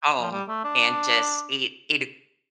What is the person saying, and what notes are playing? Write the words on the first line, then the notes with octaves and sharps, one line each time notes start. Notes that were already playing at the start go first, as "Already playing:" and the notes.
home and just eat eat a
F3
G3
A3
D4